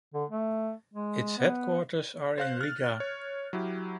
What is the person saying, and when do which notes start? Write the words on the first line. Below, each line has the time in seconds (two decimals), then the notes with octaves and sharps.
Its headquarters are in Riga.
0.14 D3
0.30 A3
0.94 G#3
1.38 B3
2.38 C5 F5 F#6
2.61 F6 A6
3.00 C#5
3.53 F#3 E4 G4